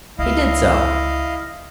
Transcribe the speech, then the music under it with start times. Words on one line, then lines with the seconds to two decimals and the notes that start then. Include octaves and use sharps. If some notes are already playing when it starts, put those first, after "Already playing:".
He did so.
0.19 C#2 D3 E4 D#5 F5